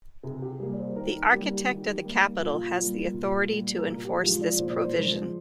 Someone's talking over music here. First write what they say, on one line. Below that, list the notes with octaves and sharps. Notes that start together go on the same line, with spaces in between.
The Architect of the Capitol has the authority to enforce this provision.
C3 G#4
G4
G3 A#3 G#4
D5
C5
D#3 A#4
G3 A#3 G4
D#3 G4
G3 A#3
A#2 F4
G3 A#3
A#2
G3 A#3
A#4
A#2 G#4
G4
F3 G#3 F4
D5
A#2 C5
D5
C5
F3 G#3